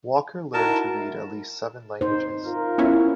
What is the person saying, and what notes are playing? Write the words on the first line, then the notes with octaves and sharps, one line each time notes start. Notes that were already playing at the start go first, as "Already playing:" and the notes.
Walker learned to read at least seven languages.
D#4 E4 F#4 A#4 A5
D#4 C5
F4 A#4
B3 C#4 E4